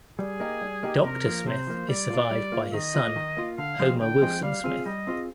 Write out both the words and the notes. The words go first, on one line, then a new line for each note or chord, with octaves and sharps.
Doctor Smith is survived by his son, Homer Wilson Smith.
G3 G#4
A#3 D#4 G4
G3
A#3 D#4 G4
C3 A#4
F3 A#3
C3 C5
F3 A#3
G3 D5
A#3 F4
G3
A#3 F4
D#3 D#5
A#3 F4
D#3
A#3 F4
D3 F5
F3 G#3 C4
D3 G5
F3 G#3 C4
G3 F5
C4 F4 G#4
G3 D#5
C4 F4 G#4